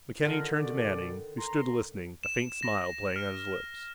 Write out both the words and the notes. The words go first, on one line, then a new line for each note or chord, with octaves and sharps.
McKenny turned to Manning who stood listening, a faint smile playing on his lips.
D3 D#3 D4 F4 A#4
B2 D5
A#5 C6
E7
A#6
F6